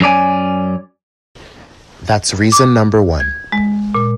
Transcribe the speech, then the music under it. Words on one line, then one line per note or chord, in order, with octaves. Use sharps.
That's reason number one.
F#2 C#4 D5 G#5
D6
G#6
G#3
A#2